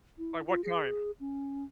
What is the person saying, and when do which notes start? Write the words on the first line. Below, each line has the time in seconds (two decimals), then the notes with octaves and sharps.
Like, what kind?
0.18 E4
0.47 F4
0.64 G#4
1.20 C#4